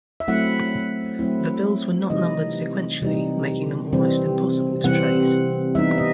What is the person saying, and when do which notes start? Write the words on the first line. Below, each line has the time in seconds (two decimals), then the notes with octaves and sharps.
The bills were not numbered sequentially, making them almost impossible to trace.
0.20 E5
0.28 F#3 A3 C4 E4 F#5
1.19 F#3 A3 C4 E4
2.10 C3 E3 G3 D#4 D#5
3.02 C3 E3 G3 D#4
3.93 C3 E3 G3 C4
4.84 C3 E3 G3 C4 F#5
5.75 E3 G3 B3 D#4 E5
5.98 D#5